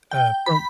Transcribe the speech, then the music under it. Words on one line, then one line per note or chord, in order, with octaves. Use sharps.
uh, from
G5
B5